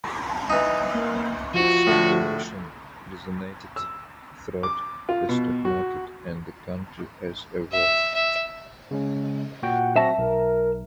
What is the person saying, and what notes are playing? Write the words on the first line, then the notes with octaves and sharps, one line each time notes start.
This speculation resonated throughout the stock market and the country as a whole.
E3 D#4
A#3
F3 F#4
A2 D3
E6
D6
F4
B2
F#4
E5
E5
C#3 G#3 C#4
A#2 F#4 F#5 G5
F#3 C4 F#4 E5 A5 A#6
B1 A#4